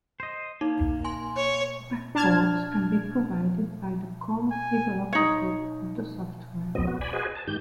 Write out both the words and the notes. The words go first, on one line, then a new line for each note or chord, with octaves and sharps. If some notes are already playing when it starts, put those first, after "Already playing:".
Backports can be provided by the core developer group of the software.
C5 D#5
A#3 D#4
G#5 C6
C#5
D4 A5 F6 G#6
G#5
D#4 C#5
A2 F#3 B3 C4 D#5
B3 F#4
D5 G#5 B5
F#4 G#4 B4 C5 D#5 G#5
A5
G#2 D#3 G4 G6